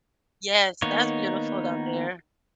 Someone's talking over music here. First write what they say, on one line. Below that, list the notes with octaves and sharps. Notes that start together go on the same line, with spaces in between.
Yes, that's beautiful down there.
D#3 A#3 B3 D#4 C#5